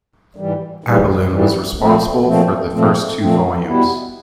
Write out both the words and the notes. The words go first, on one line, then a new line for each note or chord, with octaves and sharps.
Abelin was responsible for the first two volumes.
G#2 E3 G3
G#2 E3 G3
G#2 E3 G3
A#2 F3 A3 C4
A#2 F3 A3 C4
A#2 F3 A3 C4
A#2 F3 A3 C4
B2 G3 B3 E4